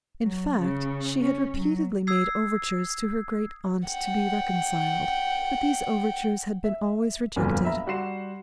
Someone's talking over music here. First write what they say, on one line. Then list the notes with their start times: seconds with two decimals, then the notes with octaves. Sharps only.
In fact, she had repeatedly made overtures to her great-aunt to be reconciled, but these overtures had been always rejected.
0.23 F#3
0.59 C#3
1.21 C#4
1.58 F#3
2.07 D#6 E6 G#6 C7
3.86 F#5 G5
6.64 E5
7.36 G1 F2 A#2 F#3 B3 G#5
7.65 E5 F5 A#5 B5
7.86 G3 F#4 F#5 C6 C7 E7